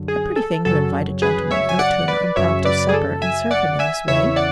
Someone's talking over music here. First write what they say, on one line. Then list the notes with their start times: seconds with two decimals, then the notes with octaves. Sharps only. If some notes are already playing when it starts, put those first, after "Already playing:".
A pretty thing to invite a gentleman out to an impromptu supper, and serve him in this way!
Already playing: F#2 D3 F#3
0.08 G#4
0.36 A4
0.65 F#2 C#3 F#3 A4
1.22 G#4 B4
1.51 C#5 E5
1.69 G#5
1.79 D5 F#5
2.08 B4 D5
2.36 F#2 C#3 F#3 C#5 E5
2.65 B4 D5
2.89 G#4
2.94 A4
3.22 E5 G#5
3.51 D5 F#5
3.79 E5 G#5
4.08 E2 C#3 E3 C#5 E5
4.36 D5 F#5